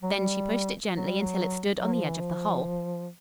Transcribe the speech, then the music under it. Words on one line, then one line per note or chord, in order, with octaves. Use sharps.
Then she pushed it gently until it stood on the edge of the hole.
F#3
G3
F#3
G3
F#3
F#3
F3
E3
F3